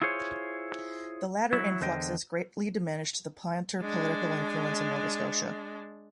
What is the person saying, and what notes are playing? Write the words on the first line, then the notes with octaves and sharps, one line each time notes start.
The latter influxes greatly diminished the Planter political influence in Nova Scotia.
E4 F4 G#4 C5 C#5
F#3 E4
E2 D3 C5 D#5 G5
G#3 D4